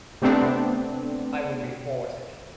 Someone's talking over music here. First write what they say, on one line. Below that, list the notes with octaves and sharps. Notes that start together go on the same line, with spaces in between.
I will be forty.
C3 A3 B3 C4 D4